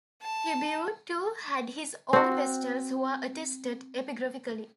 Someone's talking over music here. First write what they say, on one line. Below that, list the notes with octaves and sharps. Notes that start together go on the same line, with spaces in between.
Tibur too had his own vestals who are attested epigraphically.
A5
C4 F#4